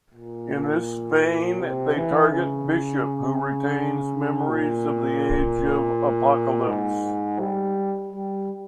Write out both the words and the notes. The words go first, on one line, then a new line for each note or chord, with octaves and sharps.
In this vein, they target Bishop, who retains memories from the Age of Apocalypse.
A#2
C3
E3
C#3
A#2
G#2
G3
G3